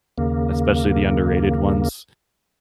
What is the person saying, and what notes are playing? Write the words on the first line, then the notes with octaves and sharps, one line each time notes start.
especially the underrated ones.
D#2 C#3 A#3